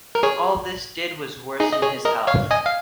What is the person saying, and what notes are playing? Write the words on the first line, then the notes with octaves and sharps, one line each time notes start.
All this did was worsen his health.
A#4
G#4 C#5
D#4 G#4
D#5
G#4 C#5
A#4 D#5
C#5 F5
D#5 G#5
F5